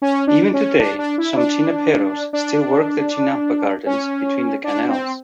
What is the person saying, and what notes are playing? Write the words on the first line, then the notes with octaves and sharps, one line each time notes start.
Even today, some "chinamperos" still work their chinampa gardens between the canals.
C#4
D4
C#4
D4
D4
E4
D4
D4
C#4
D4
C4